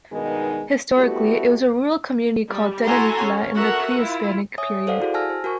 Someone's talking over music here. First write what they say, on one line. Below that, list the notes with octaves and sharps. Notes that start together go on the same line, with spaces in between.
Historically, it was a rural community, called Tenanitla in the pre-Hispanic period.
G2 B2 D#3 G#3 B3 D#4
G3 A3 B3 E4 F#4 G4
G3
E4 F#4 A4 G#5 A#5 C6
C#4
F#4 A4 A#4 E5 F#5
E4 F4
C#5 E5 G#5 D#6
A4 C5 D5 F5 F#5
E4 F#4 G#4
G#5 A5 E6 F6 A#6
C5
F#4 A#4 G#5 C#6